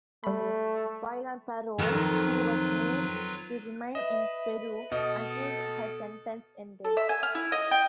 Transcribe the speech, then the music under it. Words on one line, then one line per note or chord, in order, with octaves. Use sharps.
While on parole, she was made to remain in Peru until her sentence ended.
G3 A3 B5
F2 D#3 F#3 F4 B4
B4 D#5 E5
B2 A4 D#5 D#6
A4
E5
G#5
F6
E4
D#5
G5